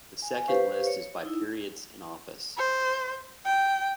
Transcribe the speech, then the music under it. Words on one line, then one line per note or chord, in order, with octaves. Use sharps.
The second list is by periods in office.
G#5
G4 B4 C5 F5 C#6
C#5
D#4 E4
C5
G5